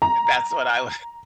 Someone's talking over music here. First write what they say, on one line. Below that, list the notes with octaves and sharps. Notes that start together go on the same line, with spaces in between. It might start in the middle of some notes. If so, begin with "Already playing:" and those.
That's what I wa
A#5